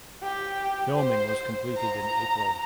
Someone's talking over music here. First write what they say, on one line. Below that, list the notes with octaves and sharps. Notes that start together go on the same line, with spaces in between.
Filming was completed in April.
G4
C5
A#5